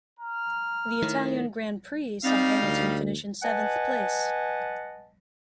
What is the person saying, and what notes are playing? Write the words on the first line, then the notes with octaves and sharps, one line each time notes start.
The Italian Grand Prix saw Hamilton finish in seventh place.
A#5 F6
A2 D#3
G3 C4 D#4 F5
D2
B4 D#5 F#5 G#5 A5